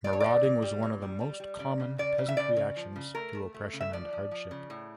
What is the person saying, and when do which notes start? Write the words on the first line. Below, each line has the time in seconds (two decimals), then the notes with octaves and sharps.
Marauding was one of the most common peasant reactions to oppression and hardship.
0.04 A#2 D5
0.13 C#5
0.20 A#2 D5
0.43 A#2
0.62 G3
0.83 A#2
1.02 G3
1.21 G3
1.40 G3
1.59 C#3 D5
1.80 C#3
1.98 C#3 D5
2.18 C#3
2.29 E5
2.37 C#3 D5
2.56 C#3
2.77 F3
2.96 C#3
3.15 A3 A#4
3.35 A3
3.54 A3
3.73 C#3
3.81 E5
3.93 F3 D5
4.13 F3
4.31 F3
4.51 C#3
4.70 A2